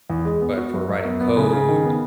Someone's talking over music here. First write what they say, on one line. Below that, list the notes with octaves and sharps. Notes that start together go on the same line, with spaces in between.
but for writing code,
E2
G#3
B3
F#4
F#2
F#2
B3
B3
C#3
C#3
D#3
B3